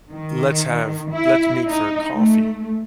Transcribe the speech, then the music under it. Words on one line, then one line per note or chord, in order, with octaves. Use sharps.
"Let's have let's meet for a coffee."
D#3
E4
D#4
A3